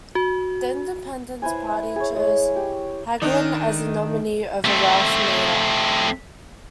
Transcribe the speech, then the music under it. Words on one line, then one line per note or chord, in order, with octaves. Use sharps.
The Independence Party chose Hagelin as the nominee over Ralph Nader.
F#4
E4 B4 C5 G#5
G#4 C#5
G#3
G4
D#3 D4 D#4
A3 C4